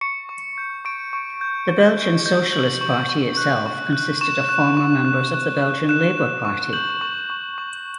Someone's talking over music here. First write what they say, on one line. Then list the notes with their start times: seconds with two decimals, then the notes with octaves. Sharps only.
The Belgian Socialist Party itself consisted of former members of the Belgian Labour Party.
0.01 C#6 C#7
0.29 C#6
0.58 G6
0.85 C#6 D7
1.13 C#6
1.41 G6
1.69 C#6
1.97 G6
2.26 G6
2.53 G6 F#7
2.81 C#6
3.09 C#6
3.37 F#6
3.66 C#6
3.93 F#6
4.21 C#6 E7
4.49 F#6
4.77 C#6
5.05 F#6
5.34 F#6
5.61 F#6
5.89 F#6 E7
6.18 F#6
6.45 C#6
6.73 G6 F#7
7.01 C#6
7.30 C#6
7.58 C#6